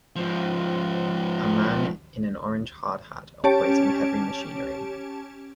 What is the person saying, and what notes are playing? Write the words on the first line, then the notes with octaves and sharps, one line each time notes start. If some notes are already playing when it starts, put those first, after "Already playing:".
A man in an orange hard hat operating heavy machinery.
G#2 F3
C#4 G4 C#5 A5 D7